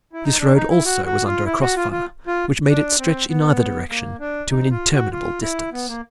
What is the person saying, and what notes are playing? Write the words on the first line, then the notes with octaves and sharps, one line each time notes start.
This road also was under a cross-fire, which made it stretch in either direction to an interminable distance.
E4
D#4
D4
D#4
E4
F#4
F#4
F4
E4
F#4
F4
F4
F4
D4
C4
B3
A#3
D4
D#4
F4
F#4
F4
E4
B3
A#3